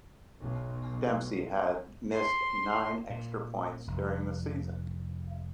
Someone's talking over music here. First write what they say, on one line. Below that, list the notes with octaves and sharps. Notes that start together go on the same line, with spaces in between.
Dempsey had missed nine extra points during the season.
B1
C6
A#2
F1